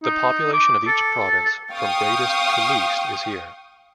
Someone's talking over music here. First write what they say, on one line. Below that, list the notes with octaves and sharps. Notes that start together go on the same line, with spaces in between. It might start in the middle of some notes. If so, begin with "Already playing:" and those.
The population of each province, from greatest to least is here.
D#4
D6
A4
F5 G5 C#6 D#6